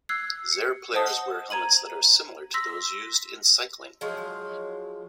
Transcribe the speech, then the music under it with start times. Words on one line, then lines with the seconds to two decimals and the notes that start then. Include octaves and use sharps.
Xare players wear helmets that are similar to those used in cycling.
0.09 E6 F#6 G#6 C7
0.52 C#7
0.94 C5 D#5 F#5 A5 D#6
1.50 A#5 G#6 D#7 F#7
2.54 C6 E6 A#6 B6
4.01 F3 F#3 G#3